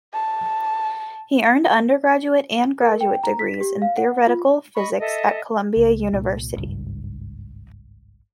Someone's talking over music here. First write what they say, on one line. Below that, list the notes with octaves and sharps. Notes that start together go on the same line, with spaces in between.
He earned undergraduate and graduate degrees in theoretical physics at Columbia University.
A5
A#4
G5
A#5
B6
G4
F5
F#5
F4
D#5 B5 C#6
A4 D#5 E5
C#2
C2 A#2
G#1 C#2 G2